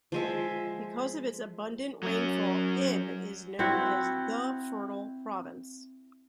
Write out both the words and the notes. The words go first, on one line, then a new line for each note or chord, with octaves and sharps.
Because of its abundant rainfall, Ibb is known as "the fertile province".
F3 G#3 E5
F#3 C#4
C4 E4 F#4